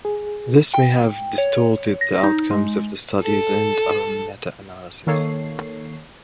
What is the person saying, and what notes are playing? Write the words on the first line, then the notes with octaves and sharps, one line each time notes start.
This may have distorted the outcomes of the studies and our meta-analysis.
G#4
G5
C#5
A#6
D#4
G#3
A4
D#3 A#3 A4 C#5 C7